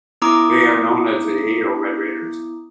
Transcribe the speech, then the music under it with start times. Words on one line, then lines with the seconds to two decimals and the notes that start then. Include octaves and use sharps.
They are known as the Ajo Red Raiders.
0.22 B3 E4 A#5 D6 D#6